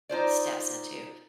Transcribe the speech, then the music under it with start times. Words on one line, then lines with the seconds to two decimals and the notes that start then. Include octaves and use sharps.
stepson too,
0.09 D#4 F4 C5 D5